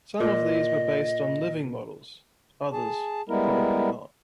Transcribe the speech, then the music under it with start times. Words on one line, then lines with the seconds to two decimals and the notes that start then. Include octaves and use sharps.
Some of these were based on living models, others probably not.
0.20 A#2 D#5
2.72 G#4 A5
3.29 G3 G#3 B3 E4 A#4